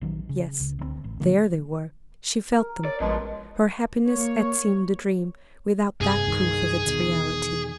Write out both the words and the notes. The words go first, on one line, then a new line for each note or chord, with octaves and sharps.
Yes; there they were; she felt them. Her happiness had seemed a dream without that proof of its reality.
A#1 D#3 F#3
C#3
C#2
D2 D3 C4
A1
B2 D3 F3 A#3
A#4
C#5 D5
A1 B2 F3 G#3 D#5
A#3 C#5
G2 C3 G#4
C2 G2 D#3
E2 B2 D#3